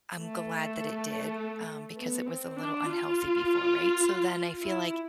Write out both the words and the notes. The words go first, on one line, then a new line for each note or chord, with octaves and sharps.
I'm glad that it did, um, because it was a little unhealthy before, right? So then I feel like
A3
B3
C4
D4
F4
E4